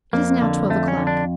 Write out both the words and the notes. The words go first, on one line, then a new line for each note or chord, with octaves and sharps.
"It is now twelve o'clock."
F2 A#3
D3
F2 A3
C#4
D3
D4